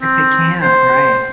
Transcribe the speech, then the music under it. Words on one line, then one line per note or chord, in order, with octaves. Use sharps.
If they can, right.
C4
C5